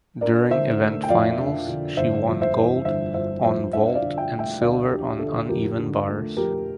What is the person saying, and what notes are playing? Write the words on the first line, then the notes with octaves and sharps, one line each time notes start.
During event finals she won gold on vault and silver on uneven bars.
D4 A#4 D5
D3 C5 E5
A3
G5
F2 D5 F5
D4
D3
G1 C5 E5
F2
C5 E5
E3
G1 C5 E5
G1 C5 E5
F2 C5 E5
D4 C5 E5
D5 F5
D3
E5 G5
A3
E5 G5
D2 D5 F5
D4 G4
D3 A4
F2 G4 A#4
D3
A3
F2 G4 A#4